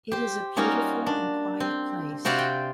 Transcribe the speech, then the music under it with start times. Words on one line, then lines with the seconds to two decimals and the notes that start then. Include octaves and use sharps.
It is a beautiful and quiet place.
0.11 G4 C5
0.56 G3 A#3 C#4 D#4 F4 F#4
1.06 D4
1.60 C4
2.25 C3 F#4 C5 D5 F5 B5
2.38 G5